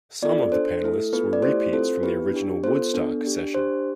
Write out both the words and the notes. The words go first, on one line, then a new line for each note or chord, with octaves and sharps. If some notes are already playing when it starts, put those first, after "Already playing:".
Some of the panelists were repeats from the original "Woodstock" session.
B3 F4 A4 D5
D4 A4 C5
A3 E4 A4
B3 F4 A4 B4
D5
A3 E4 G4 C5
C4 F4 A4 C5
B3 E4 G4 B4
D4 G4
B3 F4 A4 C5
B3 D4 A4
D4 G4
D4 G4 C5